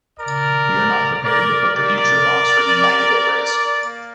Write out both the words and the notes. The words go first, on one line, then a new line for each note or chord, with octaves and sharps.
We are not prepared to put the future of Oxford United at risk.
A#4 D5
A3 C4 G4
A#4 D5
A#3 D#4 G4 A#4 D5
C4 G4
A#3